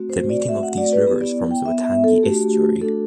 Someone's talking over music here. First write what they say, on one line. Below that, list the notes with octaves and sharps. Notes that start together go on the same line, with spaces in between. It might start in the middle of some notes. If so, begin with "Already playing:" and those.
The meeting of these rivers forms the Waitangi Estuary.
Already playing: A3 C4 F#4
C5
D5
A3 C4 F#4 E5
F#5
D5
B4
B3 E4 G4
D5
G5
B3 E4 E5
E5
A4
A3 D4 F#4 G4
A3 D4 F#4 A4